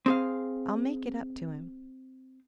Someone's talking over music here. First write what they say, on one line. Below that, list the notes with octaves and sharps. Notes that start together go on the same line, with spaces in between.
I'll make it up to him.
C4 G#4 F5